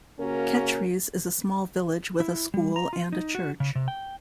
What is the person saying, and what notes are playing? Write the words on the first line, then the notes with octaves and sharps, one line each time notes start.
Kechries is a small village with a school and a church.
C#3 A#3 C#4 F#4 A#4
E4
G3
A#5
F4
D#4
F#4
C#3
C3
G5